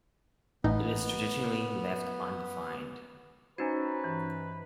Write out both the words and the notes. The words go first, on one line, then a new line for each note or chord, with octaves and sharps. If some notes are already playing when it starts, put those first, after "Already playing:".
It is traditionally left undefined.
A1 B3 D#4
C#4 D#4 F#4 B4 C5
G2 E3